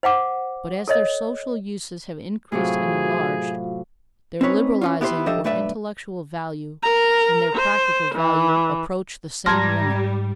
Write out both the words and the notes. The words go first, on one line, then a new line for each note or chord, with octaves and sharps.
But as their social uses have increased and enlarged, their liberalizing or "intellectual" value and their practical value approach the same limit.
C5 F5 F#5 D6
A4 C#5 D#5
A2 C3 F#3 F4 F#4 G#4 F5
C4 C#4 D#4 B4 C#5
C#4 D#4 F4
B3 E4 G4 A#4 C5
F3 D4 G4 A4 D#5 E5
B1 G2 A3 B4 D5 E5
A#4 A#5
C5
E3
G#2 G3 A5 A#5 C6 F6 G#6 A#6